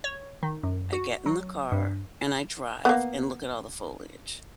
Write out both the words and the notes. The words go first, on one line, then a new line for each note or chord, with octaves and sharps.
I get in the car, and I drive, and look at all the foliage.
C#5
D#3
F#2
F#4
F#3
G2
A#3 B3